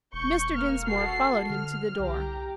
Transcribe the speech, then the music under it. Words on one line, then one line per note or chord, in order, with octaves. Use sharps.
Mr. Dinsmore followed him to the door.
E1 C#6 G6 C#7
A#3 F6
F#4 A4 C7
D3 F6
C2 G4 A#5